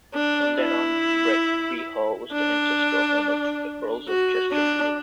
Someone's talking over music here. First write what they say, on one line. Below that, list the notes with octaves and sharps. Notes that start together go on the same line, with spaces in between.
From then on, Bretby Hall was the ancestral home of the Earls of Chesterfield.
D4
E4
D4
F#4
D4